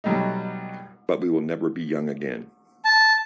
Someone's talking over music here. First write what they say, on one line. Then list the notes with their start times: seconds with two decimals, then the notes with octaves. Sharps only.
But we will never be young again.
0.04 B2 F#3 G3 A3 D#4
2.85 A5